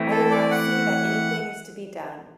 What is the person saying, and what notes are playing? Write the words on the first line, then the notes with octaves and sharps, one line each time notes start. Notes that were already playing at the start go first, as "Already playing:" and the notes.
I do not see that anything is to be done.
Already playing: E3 A3 C4 E4
A4
D5
F#5